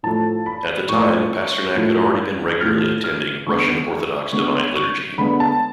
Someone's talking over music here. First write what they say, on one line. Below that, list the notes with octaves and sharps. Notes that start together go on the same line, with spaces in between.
At the time, Pasternak had also been regularly attending Russian Orthodox Divine Liturgy.
A2 F3 A3 A5
B5
A2 F3 A3 C#6
A2 F3 A3
A2 F3 A3 F6
F6
D3 G#3 B3 C#6
D3 G#3 B3 C#6
C#6
D3 G#3 B3 B5
A5